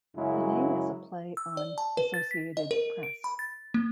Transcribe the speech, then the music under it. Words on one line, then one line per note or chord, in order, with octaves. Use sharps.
The name is a play on "Associated Press".
F#2 C#3 F#3 G#3 E4
E6
D5
A5
B4
A6
B6
D#5
A#4
D7
B5
A6
A#3